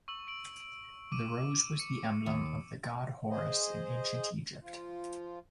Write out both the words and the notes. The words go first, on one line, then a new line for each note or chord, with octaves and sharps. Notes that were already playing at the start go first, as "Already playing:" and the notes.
The rose was the emblem of the god Horus in ancient Egypt.
C#6 E6 F#7
C#6 D7 F#7
D6 D#7
C#7
D#2
G#4 C5 D#5
F3 F4